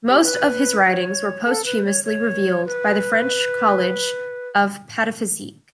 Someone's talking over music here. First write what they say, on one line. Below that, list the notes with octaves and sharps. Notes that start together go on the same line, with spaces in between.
Most of his writings were posthumously revealed by the French College of 'Pataphysique.
G4
B4
C#5
A4
B4
C#5
C#5
B4